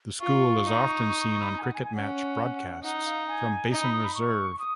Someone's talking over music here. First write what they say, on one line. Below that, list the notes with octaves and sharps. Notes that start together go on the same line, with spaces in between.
The school is often seen on cricket match broadcasts from Basin Reserve.
F4 C#6
D#4
C#6
C#6
C#6
B5
A#5
G#5
F#5
G#5
G#5
C#4 F#5
D#4 F#5
F5
G#5
D#4 A#5
B5
D#6
B5
C#6
D#6